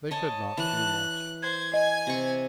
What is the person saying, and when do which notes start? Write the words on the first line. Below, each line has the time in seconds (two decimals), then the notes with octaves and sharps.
They could not do much.
0.11 C#5 D#5 G#5 A5
0.57 E3 F#6
1.42 C5 G#6
1.74 D#5 G#5
2.07 C3 C#6